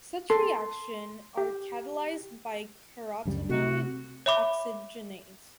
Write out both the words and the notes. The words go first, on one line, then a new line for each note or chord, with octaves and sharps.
Such reaction are catalyzed by carotenoid oxygenase.
A4 C6
G4
C#2 F#2 G3
C3 A3 F#4
C#5 E5 B5 D6